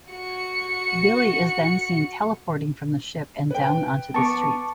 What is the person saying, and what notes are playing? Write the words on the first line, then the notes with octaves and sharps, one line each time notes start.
Billie is then seen teleporting from the ship and down onto the street.
F#4 C#7
B4 G5
B3 A5 C#6 D6